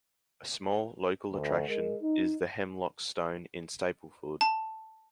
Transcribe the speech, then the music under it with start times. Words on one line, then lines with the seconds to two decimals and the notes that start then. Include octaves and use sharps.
A small local attraction is the Hemlock Stone in Stapleford.
1.32 D2
1.68 G#3 A#4
2.02 D#4
4.41 A5